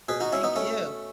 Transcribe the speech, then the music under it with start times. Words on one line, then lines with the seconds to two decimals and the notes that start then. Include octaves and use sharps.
Thank you.
0.09 B2 G#4 B4
0.20 D#4 F#4
0.32 C#4 E4
0.43 B3 D#4
0.56 A3 C#4